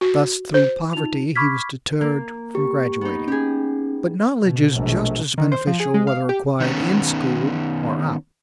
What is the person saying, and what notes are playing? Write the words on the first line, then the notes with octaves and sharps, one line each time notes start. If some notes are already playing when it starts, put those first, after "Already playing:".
Thus through poverty he was deterred from graduating, but knowledge is just as beneficial, whether acquired in school or out.
F#4
C5
D#4 F4 F7
B5 C#6 D6 F6 G#6 B6
A#3
G4
B3 D#4
C#4 G4 G#4
B2
A#1 B2 F#3 G#3 A3
D#3
C5
F3
G#4
G#3
F5
G4
D#3 B3 C#4